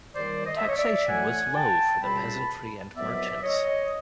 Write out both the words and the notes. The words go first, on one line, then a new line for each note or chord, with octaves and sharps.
Taxation was low for the peasantry and merchants.
D#2 D#3 G3 C5 D5
D#5
E5
C#5 D#5
D5 E5
A2 E3 A3 F#5 G#5
G5 A5
C#2 B2 G3 C4 A5 B5
C2 B2 F#3 B3 D5 E5
C#5 D#5